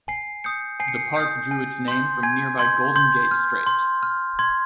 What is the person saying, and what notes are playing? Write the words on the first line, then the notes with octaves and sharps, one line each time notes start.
The park drew its name from nearby Golden Gate Strait.
G#5 C7
D#6 G6 C#7
G#5 C7
C#7
C7
D#6 G6
G#5
C6 G6
G#5 G#6
C6 G6 G#6
C6 G6
F6
C6
F6
C6 G#6